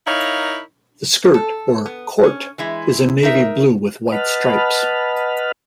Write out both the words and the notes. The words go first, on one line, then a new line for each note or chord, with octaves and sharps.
The skirt, or "corte", is a navy blue with white stripes.
D#4 E4 A#4 C#5 F5
A4
B3
C#4
E3 G#3 E4
D#4 A#4 E5
B4 D#5 F#5 A5 B5 F6